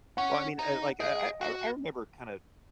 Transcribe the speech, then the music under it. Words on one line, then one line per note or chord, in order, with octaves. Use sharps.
Well, I mean, uh, like, uh, I I I remember kinda
C#4 F#5
D#4
G#4 D#5
F#4